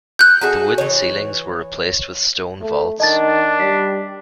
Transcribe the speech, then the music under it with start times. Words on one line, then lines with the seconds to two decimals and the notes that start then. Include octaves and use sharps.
The wooden ceilings were replaced with stone vaults.
0.19 F#6 G6
0.41 F#4 G#4 A4
0.78 E3 C#5
2.61 A3
3.00 D#3 D4 D#5 A5 A6
3.60 G3 B6